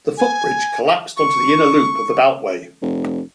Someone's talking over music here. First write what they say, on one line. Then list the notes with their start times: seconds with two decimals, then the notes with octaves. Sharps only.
The footbridge collapsed onto the inner loop of the Beltway.
0.18 G#5
1.17 C#6
2.82 F1